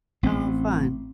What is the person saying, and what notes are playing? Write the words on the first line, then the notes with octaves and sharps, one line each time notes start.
Oh, fun.
A1 C4